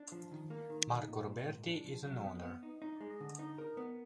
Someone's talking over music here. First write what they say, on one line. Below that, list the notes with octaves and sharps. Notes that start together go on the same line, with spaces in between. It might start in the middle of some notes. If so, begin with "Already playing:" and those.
Marco Roberti is an owner.
Already playing: D4
F3
D#3
A#3
D#3
D#4
A#2
A#2
G#2
D4
F3
F#3
B3
B3
D#4
D#4
G#3
D3
D#4
A#4
B3